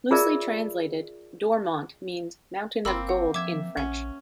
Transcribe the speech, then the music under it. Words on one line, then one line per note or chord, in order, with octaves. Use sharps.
Loosely translated, Dormont means "Mountain of Gold" in French.
F4 G#4 A#4 D5 E5
G1 A#3 C4 B5 E6
F#5
F3 E5 D6 G#6
A#1 C#4 F#5